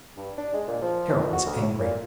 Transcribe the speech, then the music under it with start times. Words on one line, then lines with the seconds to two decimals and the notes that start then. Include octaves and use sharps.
Carol was angry.
0.17 G2
0.38 D4
0.54 G#3
0.68 A#2
0.82 F3
1.18 D#3
1.33 F#4
1.47 D2
1.62 A2
1.80 A#2